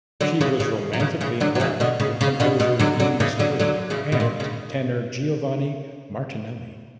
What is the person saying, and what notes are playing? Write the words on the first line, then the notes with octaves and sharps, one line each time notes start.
She was romantically involved with composer Deems Taylor and tenor Giovanni Martinelli.
D3 F#3
C#3 E3
C#3
F#3
C#3 E3
C#3 E3
D3 F#3
F#3
C#3 E3
B2 D3
C#3
C#3
B2 D3
B2
D3 F#3
D3 F#3
C#3 E3
D3 F#3
D3 F#3
C#3 E3
B2
A#2
C#3